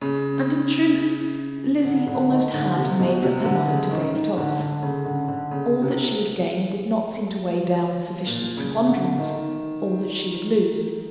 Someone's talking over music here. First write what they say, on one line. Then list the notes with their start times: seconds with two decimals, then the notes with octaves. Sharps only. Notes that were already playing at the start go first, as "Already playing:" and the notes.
And, in truth, Lizzie almost had made up her mind to break it off. All that she would gain did not seem to weigh down with sufficient preponderance all that she would lose.
0.01 C#3
1.85 D3
2.08 D3
2.30 D#3
2.53 D3
2.76 C3
2.99 B2
3.22 C3
3.45 D3
3.68 C#3
3.91 D#3
4.14 D#3
4.37 D3
4.59 D3
4.83 C#3
5.05 D3
5.28 D3
5.51 C#3
5.82 C3
8.27 A#2
8.57 C#3
8.88 D3
9.18 D#3